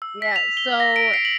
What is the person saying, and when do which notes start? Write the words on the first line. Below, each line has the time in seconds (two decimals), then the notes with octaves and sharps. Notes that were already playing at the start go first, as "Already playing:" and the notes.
Yeah, so
0.02 E6
0.22 B6
0.36 F7
0.57 G7
0.80 A#6
0.96 D7
1.14 C7
1.25 F#7